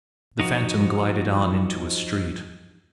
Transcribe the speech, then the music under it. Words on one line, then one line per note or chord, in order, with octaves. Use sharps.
The Phantom glided on into a street.
F3 D#4 F#4